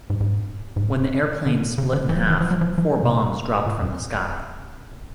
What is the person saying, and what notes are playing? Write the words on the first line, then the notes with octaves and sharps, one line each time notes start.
When the airplane split in half, four bombs dropped from the sky.
G#2
G#2
G#2
A2
D3
C#3
D3
E3
F#3
F3
E3
F3
F#3
F3
F#3
F3
F#3
F3
C3
A#2
F#2